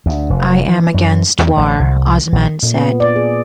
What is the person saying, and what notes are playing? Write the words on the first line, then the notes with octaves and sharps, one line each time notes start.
"I am against war," Osman said.
D2
F1
E3
F#2
E2
A1
C2
A#1
A#2
B3
D5
G#4